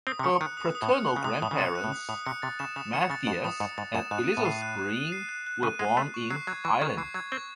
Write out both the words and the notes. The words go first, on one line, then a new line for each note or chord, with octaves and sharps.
Her paternal grandparents Matthias and Elizabeth Breen were born in Ireland.
C4 D#6
C3
C#3 C#7
D#3 F#6
D#6
D#6
A2
C#7
F#6
C#3
C3 D#6
A2 D#6
C#3
C3 C#7
F#6
A2
D#6
A2 D#6
C3 C#7
C3 A6
C#3 E7
C#3 D#6
D#3 C#7
C#3 A6
G#2 E7
A2 D#6
G#2 C#7
G#2 A6
F#2 E7
G#2 F#6
D#7
A2
C7
F#6
F#6
D#7
C7
F#6
F#6
C#3 D#7
G#3 C7
A3 F#6
C#6
F#3 C7
F#3 G#6
E3 C#6
D#3 C#6
E3 C7
F#3 G#6
C4 C#6